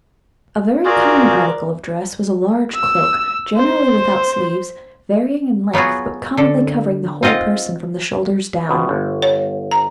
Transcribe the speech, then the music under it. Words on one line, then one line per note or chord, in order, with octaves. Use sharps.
A very common article of dress was a large cloak, generally without sleeves, varying in length, but commonly covering the whole person from the shoulders down.
F4 F#4 G#4 A#4 D5
E6
C5
F#3 B3 F4 F#4 G#4
D3 A4
C4 F4 D#5 F5 F#5
C#2 G#2 B2
G1
C#5
A#5